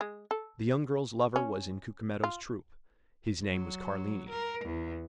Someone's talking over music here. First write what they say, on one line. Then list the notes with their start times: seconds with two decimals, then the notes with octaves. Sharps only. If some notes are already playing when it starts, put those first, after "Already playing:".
The young girl's lover was in Cucumetto's troop; his name was Carlini.
0.01 G#3
0.31 A4
1.36 C#4
2.24 F4
3.49 F#3
4.30 A#4
4.65 E2